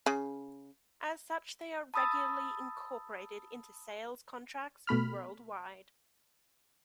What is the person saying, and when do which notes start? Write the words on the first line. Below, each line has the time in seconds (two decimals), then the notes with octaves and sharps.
As such they are regularly incorporated into sales contracts worldwide.
0.06 C#3
1.94 A5 B5 D#6 E6 A6
4.87 B2 A3 B5 F6